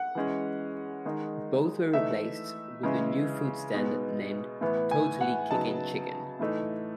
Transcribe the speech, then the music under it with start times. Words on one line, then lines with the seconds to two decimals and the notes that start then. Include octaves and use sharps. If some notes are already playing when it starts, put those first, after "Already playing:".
Both were replaced with a new food stand named Totally Kickin' Chicken.
Already playing: F#5
0.15 E3 G#3 C#4
1.05 D#3 G#3 D#4
1.93 E3 A3 D#4 E5
2.83 C#3 E3 G#3 C#4
3.73 B2 G#3 B3 D#4
4.61 A2 E3 B3
4.91 G#5
5.21 F#5
5.50 C#3 F#3 B3 D#4 A5
6.39 A2 E3 A3 D#4